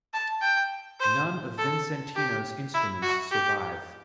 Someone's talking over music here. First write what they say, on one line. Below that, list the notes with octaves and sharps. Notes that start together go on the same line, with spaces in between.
None of Vicentino's instruments survive.
A5
G5
C5
A4
G4
E4
F#4
G4